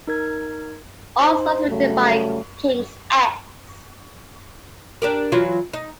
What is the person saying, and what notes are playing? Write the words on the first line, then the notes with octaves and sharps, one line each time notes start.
All songs written by King's X.
D#4 A#4 G#6
D#4 C5
C#3 F#3 G3 A3
D4 G4 A#4
E3 F#3 F4
D#4